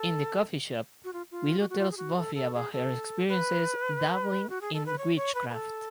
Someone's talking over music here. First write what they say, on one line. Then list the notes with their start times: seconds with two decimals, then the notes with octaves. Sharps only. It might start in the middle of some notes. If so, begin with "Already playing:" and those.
In the coffee shop, Willow tells Buffy about her experiences dabbling in witchcraft.
Already playing: A4
1.04 F#4
1.13 F4
1.31 F4
1.59 F#4
1.70 F#4
1.79 F4
1.91 G#4
1.97 F#4
2.17 A4
2.35 A4
2.54 G#4
2.73 A4
3.28 B4
4.49 F#4
4.61 G#4
4.74 A4
4.86 B4
4.98 C#5
5.16 C#5
5.35 B4
5.49 B4
5.53 A4